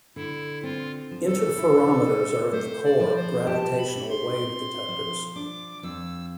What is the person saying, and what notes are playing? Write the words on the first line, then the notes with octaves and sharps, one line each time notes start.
Interferometers are at the core of gravitational wave detectors.
D3 E4
C4 F4
F3
A4
E4
C3
A3 C5
D5
F3
C5
G4 A5
B5
A2
C6
C4
F3
D4 D6
F2 E6